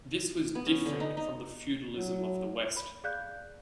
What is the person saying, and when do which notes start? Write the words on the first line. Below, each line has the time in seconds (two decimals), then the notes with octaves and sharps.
This was different from the feudalism of the West.
0.55 B3
0.66 C#4
0.86 D3
1.00 D#4
1.17 D#4
1.92 F#3
2.77 B5
3.04 G#4 D5 F5 F#6 G6